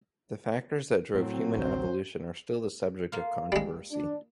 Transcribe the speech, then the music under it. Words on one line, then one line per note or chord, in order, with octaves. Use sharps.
The factors that drove human evolution are still the subject of controversy.
A2 F#3 C4
A1 D2 C5
A#3 F4
G3 G#3
D4